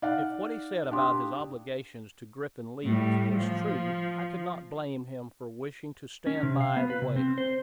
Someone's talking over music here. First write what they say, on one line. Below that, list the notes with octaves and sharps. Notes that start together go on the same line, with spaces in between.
If what he said about his obligations to Griffin Leeds was true, I could not blame him for wishing to stand by the waiter.
D#4 D5 F5 F#5
D4 G4 F5 C6 D#6
A2 G3
F3
C#4
C3
F5
B3
B4
C3
C4
C5